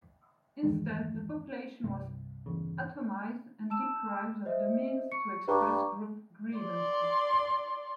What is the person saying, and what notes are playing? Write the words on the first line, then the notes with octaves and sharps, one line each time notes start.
Instead, the population was "atomized" and deprived of the means to express group grievances.
E2 G2 D#3 G#3
C2 G2 C4
G1 E2 C#3
A5 E6 E7
C5 D#5 E5
C#6 C#7
G2 A#5 C#6 D6
D5 C6